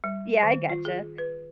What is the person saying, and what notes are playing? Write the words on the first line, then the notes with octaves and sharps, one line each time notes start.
Yeah, I gotcha.
G3
D#3
F4
G#4
B4